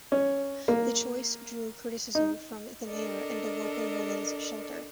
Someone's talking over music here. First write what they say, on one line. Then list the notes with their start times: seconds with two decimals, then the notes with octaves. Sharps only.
The choice drew criticism from the mayor and a local women's shelter.
0.12 C#4
0.68 A#3
2.15 D#4
2.86 D4 A4 A#4 D5 D#5